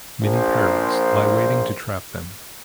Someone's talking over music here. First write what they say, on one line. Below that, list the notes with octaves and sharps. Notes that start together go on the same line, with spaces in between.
Many perils lie waiting to trap them.
A#1 C5